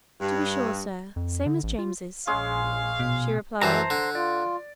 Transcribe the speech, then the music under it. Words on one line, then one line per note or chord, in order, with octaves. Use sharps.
"To be sure, sir--same as James's," she replied.
G2
F2
D3
A1
F4
A#1 G#3 C#4 G#4 F5
B2
F#2 E3 C5 A5 A#5
D3
F4 D5